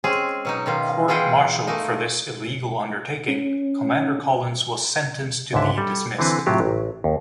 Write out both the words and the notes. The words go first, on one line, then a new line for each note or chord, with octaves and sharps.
Court-martialled for this illegal undertaking, Commander Collins was sentenced to be dismissed.
G#3 C4 C#4 G#4
B2 F#3 D#4
B2 D#3 F4
B2 E3 F4 G#4 F#5 G5
A3 A#3 D#4
C#4
C#2 G#2 D3 E5
G3 A4
D3 E3 C4 B4
A2 C3 F#3 F4 G4
A1
D#2